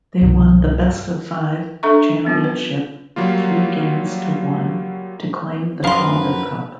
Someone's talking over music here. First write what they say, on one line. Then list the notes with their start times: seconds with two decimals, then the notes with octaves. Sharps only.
They won the best-of-five championship three games to one to claim the Calder Cup.
0.22 C2 G2 B2 D#3
1.83 D4 A4 E5 A#5 C#6
2.25 F#3 B3 C4 F4
2.44 B4
3.16 F#3 G3 A#3 F4
5.84 F#2 F3 A#4 B4 F5 C6